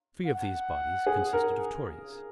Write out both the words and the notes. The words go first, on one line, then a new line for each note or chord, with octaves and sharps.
Three of these bodies consisted of Tories.
F#5
G#4
A#4